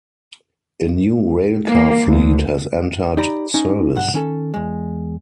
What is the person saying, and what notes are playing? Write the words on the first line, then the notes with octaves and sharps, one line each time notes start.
A new railcar fleet has entered service.
A#3
D2
D#4 G4 D5 A#5 B5
C#4 D#4
B1 G2 F#5
D#3 C#4 A4
E2 G#3